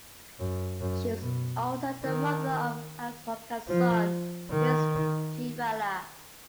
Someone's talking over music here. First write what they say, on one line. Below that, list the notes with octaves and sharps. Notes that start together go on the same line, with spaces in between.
She was also the mother of Ashoka's son, Prince Tivala.
F#2
F#2
B2
D#3
F3
D#3